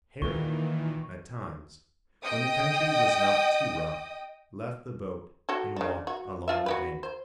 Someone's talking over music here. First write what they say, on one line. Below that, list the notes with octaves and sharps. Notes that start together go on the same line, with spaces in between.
Harry, at times when the country was not too rough, left the boat and walked along the bank.
C#2 A#2 D#3 E3 C#6
D#5 G5 D#6
F#4 G4 A4
C#3 D4
F#4
F3 F4 E5
F#4 G4 B4
C5